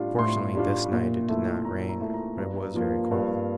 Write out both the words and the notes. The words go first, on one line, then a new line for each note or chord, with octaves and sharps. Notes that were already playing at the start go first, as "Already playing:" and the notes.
Fortunately this night it did not rain, but it was very cold.
Already playing: A2 G3 D4 F4
A2 C6
G3 D4 F4
A#2
A3 E4
A#2 A#5
A#5
A3 E4
A#5
G2 A#5
F3 A#3 F4
G2